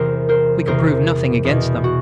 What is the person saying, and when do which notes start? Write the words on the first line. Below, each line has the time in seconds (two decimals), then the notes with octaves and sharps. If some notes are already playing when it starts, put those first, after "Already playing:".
We could prove nothing against them.
Already playing: E2 C3 E3 A#4 C5
0.29 A#4 C5
0.67 E2 C3 E3 A#4 C5
1.45 E2 B2
1.84 F#4